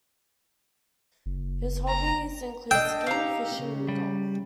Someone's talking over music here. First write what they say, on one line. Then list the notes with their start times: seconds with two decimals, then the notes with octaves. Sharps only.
His hobbies include skiing, fishing and golf.
1.26 F#1
1.88 A#5
2.71 D4 D#5 G5 E6
3.07 D#4 G4 F5 A#5
3.55 C#3
3.88 G3